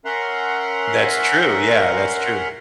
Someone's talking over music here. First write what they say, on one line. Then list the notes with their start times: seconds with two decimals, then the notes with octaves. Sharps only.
That's true, yeah, that's true.
0.05 C#4 A#4 E5 F#5 A#5 C6